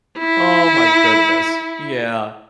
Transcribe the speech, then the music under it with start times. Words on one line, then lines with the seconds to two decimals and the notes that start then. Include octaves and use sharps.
oh my goodness. Yeah.
0.19 E4